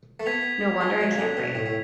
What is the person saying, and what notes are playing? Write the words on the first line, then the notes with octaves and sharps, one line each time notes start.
No wonder I can't write!
A3
B3 G#6 B6 F7
G#3
F#3
C#3
D3
B2
A2
A2